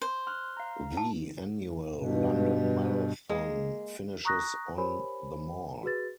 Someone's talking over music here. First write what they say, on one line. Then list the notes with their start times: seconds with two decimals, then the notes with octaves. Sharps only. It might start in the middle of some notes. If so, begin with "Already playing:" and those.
The annual London Marathon finishes on The Mall.
0.02 C5
0.27 C6 F6 F#6
0.57 F5 A#5
0.97 A5
1.96 G2 B2
3.29 G#3 A#3
4.25 A#5 C#6 D#6 F#6 A#6
4.78 G4 A#4 C5 C#5 G#5 B5
5.83 F#4 G#4 B4 A6